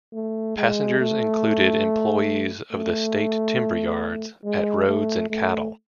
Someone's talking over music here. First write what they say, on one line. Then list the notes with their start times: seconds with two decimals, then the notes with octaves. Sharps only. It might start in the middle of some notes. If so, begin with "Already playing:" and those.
Passengers included employees of the State Timber yards at Rhodes and cattle.
0.13 A3
0.57 G#3
0.99 A3
2.72 A3
4.44 G#3
4.87 A3
5.30 A3